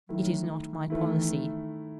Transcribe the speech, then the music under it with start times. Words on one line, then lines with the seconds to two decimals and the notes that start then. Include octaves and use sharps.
It is not my policy.
0.09 D#3 F#3 A3 E4
0.79 D#3
0.90 D#3 E3 A3 E4